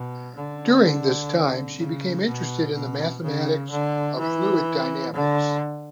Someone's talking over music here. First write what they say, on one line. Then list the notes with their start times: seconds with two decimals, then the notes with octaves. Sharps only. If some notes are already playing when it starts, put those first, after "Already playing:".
During this time she became interested in the mathematics of fluid dynamics.
Already playing: B2
0.35 D3
1.79 C#3
2.26 B2
2.74 B2
3.23 C#3
3.71 D3
4.18 E3
5.14 D3